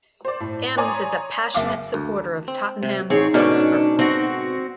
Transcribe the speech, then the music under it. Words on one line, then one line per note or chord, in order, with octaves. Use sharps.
Emms is a passionate supporter of Tottenham Hotspur.
C5 D5
A2
C#5 D5 G#5 A#5 C6 D#6
F#1 E5 F5 D6
D2
C4
C3
A1 C4 D#4 G#4 C#5
G#2 B2 D3 C#4 D4
C4 F#4